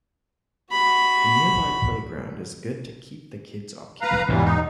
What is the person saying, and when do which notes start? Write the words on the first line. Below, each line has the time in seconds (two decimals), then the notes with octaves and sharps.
The nearby playground is good to keep the kids occupied.
0.71 F#4 B5
4.01 B4 F5 A#5
4.29 E2 G#2 B2 E3 F#3 G3
4.44 D#4